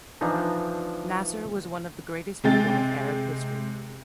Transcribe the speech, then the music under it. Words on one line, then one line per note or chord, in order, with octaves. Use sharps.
Nasser was one of the greatest people of Arab history.
E3 F3 D4 D#4
C3 G#3 G5 A6